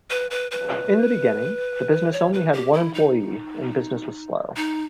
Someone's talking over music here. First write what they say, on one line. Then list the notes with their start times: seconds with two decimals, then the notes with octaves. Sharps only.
In the beginning the business only had one employee and business was slow.
0.10 B4
0.31 B4
0.51 B4
2.13 C#5
2.33 B4
2.53 G4
2.73 E4
2.94 D#4
4.56 D#4